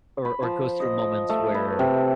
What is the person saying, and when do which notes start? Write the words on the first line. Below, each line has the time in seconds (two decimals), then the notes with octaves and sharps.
or or goes through moments where,
0.25 B5
0.43 F3
0.80 D#5
1.29 A3
1.54 B4
1.79 C3